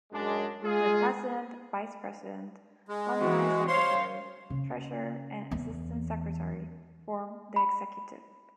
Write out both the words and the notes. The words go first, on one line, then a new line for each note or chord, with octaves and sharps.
The President, Vice-President, Honorary Secretary, Treasurer and Assistant Secretary form the Executive.
F#2 G#3 D4
G#3 F4 G#4
G#3
E3 C4 F#4
C5 C#5 F5 C6
C#3
E2
B5